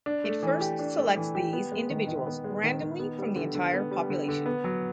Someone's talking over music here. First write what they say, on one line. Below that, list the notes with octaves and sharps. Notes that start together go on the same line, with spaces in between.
It first selects these individuals randomly from the entire population.
D4
A3
E3
G4
D4
A3
E3
G4
B3
G#3
D#3
D#3
B3
G#3
D#3
D#3
B3
G3
D3
D3
B3
G3
D3
D3
B3
F#3